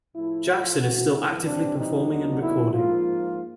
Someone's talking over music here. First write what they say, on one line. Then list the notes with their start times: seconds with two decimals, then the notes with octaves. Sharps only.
Jackson is still actively performing and recording.
0.15 A2 F3 A3 E4
0.48 F4
0.80 G2 E3 A3 C4 F#4
1.13 E4
1.45 A2 E3 G3 C4 D4
1.78 D#4
2.09 D#2 D3 F#3 B3
2.43 E4
2.75 G#2 F3 A#3 F4